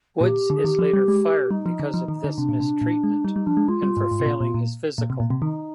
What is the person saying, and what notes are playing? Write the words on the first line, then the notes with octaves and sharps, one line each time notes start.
Woods is later fired because of this mistreatment and for failing his physical.
A#2 G4
D3
G#4
D#3 G4
F3
G3
G#3
G3 D#4
F3
D3
F3
D#3
D3
C3 D4
A#2
C3
A#2
G#3
G3 D#4
G3
F3 D4
G#3
G#3 F4
G3
G#2
G#2
C3
A#2
A#2
A#2
A#2
C3
A#2
C3
D#3 D#4